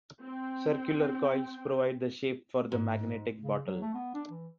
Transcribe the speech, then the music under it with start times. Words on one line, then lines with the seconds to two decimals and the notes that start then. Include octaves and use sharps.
Circular coils provide the shape for the magnetic bottle.
0.21 C4 G5
2.72 G#2
3.42 C#3
3.66 F#3
3.82 A3
3.94 B3
4.14 D4
4.30 E3